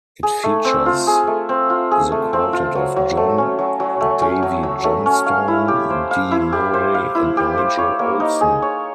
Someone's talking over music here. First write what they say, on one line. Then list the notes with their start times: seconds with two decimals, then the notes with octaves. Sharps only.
It features the quartet of John, Davey Johnstone, Dee Murray and Nigel Olsson.
0.23 G#4
0.43 A3
0.65 C4
0.86 F4
1.07 G#4
1.27 A3
1.49 C4
1.70 F4
1.91 G#4
2.12 A3
2.33 C4
2.53 F4
2.75 F#3
2.96 F#3
3.17 A3
3.38 C#4
3.59 F#3
3.80 F#3
4.01 A3
4.22 C#4
4.43 F#3
4.63 F#3
4.84 A3
5.06 C#4
5.26 F5
5.48 E4
5.68 G4
5.90 C5
6.11 F5
6.31 E4
6.53 G4
6.74 C5
6.95 F5
7.15 E4
7.37 G4
7.58 C5
7.78 C#5
7.99 A#3
8.20 D#4
8.41 G#4
8.62 C#5